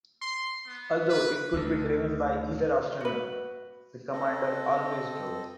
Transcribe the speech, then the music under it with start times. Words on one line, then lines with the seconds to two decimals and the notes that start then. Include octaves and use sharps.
Although it could be driven by either astronaut, the Commander always drove.
0.22 C6
0.67 B3
1.09 B4
1.54 D2 D3
3.01 F#4 B4
4.13 C4 A4 D#5